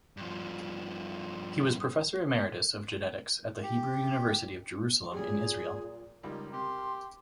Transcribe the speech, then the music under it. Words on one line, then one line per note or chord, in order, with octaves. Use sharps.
He was professor emeritus of genetics at the Hebrew University of Jerusalem in Israel.
G2 F3
G4
A#2 F#3 G3 G4 G#4
C#2 G3 D#4 A#4
C3 G4 C6